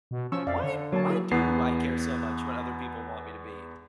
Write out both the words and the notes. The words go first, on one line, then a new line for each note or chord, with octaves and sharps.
"Why why do I care so much what other people want me to be?"
B2
F3 C#4 C#6 E6
F2 D5 E5 F5
D3
F#3 A#3 C#5 A5
E4 G#4
E2 B3 C7